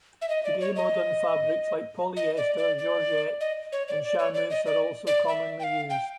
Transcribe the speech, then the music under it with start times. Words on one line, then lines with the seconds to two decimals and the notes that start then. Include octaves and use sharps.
Today, modern fabrics like polyester, georgette and charmeuse are also commonly used.
0.22 E5
0.29 D#5
0.44 D5
0.61 C#5
0.76 D#5
2.17 D#5
2.37 D5
2.58 D5
2.78 D5
3.41 D#5
3.72 C#5
3.88 D5
4.04 D5
4.19 C#5
4.34 D5
4.50 D#5
4.66 D5
5.07 D5
5.28 E5
5.59 G5
5.64 F5
5.90 G5